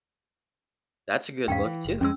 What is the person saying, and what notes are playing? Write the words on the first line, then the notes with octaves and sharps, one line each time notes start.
that's a good look too.
E2 G#2 C#4 F5 G5
E3
F#1
F2 E3 G#3 C#4 E6